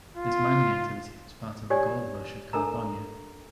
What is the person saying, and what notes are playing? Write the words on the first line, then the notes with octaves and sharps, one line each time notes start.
This mining activity was part of the Gold Rush of California.
F4
G4 C#5 D5 G#5
D4 A4 A#4 A#5